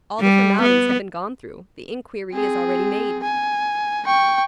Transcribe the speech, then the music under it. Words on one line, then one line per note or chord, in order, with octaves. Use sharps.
"All the formalities have been gone through; the inquiry is already made."
G3
B3
C4 G#4
G#5
G5 C#6